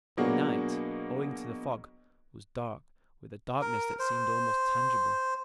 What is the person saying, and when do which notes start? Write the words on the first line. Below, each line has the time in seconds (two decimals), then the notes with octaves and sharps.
The night, owing to the fog, was dark with a darkness that seemed almost tangible.
0.17 B2 F#3 A#3 B3 D4 G#4
3.61 A#4
3.99 C5